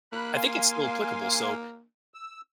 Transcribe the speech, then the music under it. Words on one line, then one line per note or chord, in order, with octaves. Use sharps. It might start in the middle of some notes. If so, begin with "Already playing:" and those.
I think it's still applicable. So,
A#3 B5 F#6
F5 G#5 C6
E6